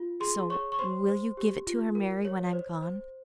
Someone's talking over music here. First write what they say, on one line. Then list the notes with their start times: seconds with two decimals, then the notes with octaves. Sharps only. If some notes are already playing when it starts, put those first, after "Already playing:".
So, will you give it to her, Mary, when I'm gone?
Already playing: F4
0.20 G#4 C6
0.50 C#5 C#6
0.72 C#6
0.79 C5 C6
1.09 C5
1.37 G4
1.67 F4
1.95 A#4
2.25 C#5
2.53 C5
2.82 C5